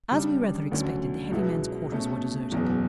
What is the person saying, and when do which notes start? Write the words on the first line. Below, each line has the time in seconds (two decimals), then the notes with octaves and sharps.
As we rather expected, the heavy man's quarters were deserted.
0.11 C#3 G3 D4
0.71 D2 D3 F#3 C#4
1.31 C#2 B2 F#3 B3 E4
1.92 B2 A3 C#4
2.52 F#1 E2 B2